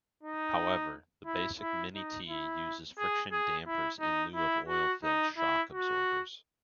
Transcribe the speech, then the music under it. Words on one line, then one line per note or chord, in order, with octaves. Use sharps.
However, the basic Mini-T uses friction dampers in lieu of oil-filled shock absorbers.
D#4
E4
E4
D#4
E4
G#4
G#4
E4
D#4
E4
F#4
D#4
E4
F#4